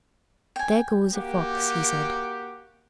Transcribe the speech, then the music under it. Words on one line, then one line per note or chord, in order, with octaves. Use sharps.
"There goes a fox," he said.
G5 G#5
A#3 F#4 G4